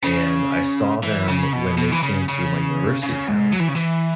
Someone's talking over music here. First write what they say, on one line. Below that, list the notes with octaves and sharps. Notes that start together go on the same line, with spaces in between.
and I saw them when they came through my university town
C#3
E3
C#3
B2
B2
E3
C#3
C#3
C#3
G#2
F#3
E3
C#3
E3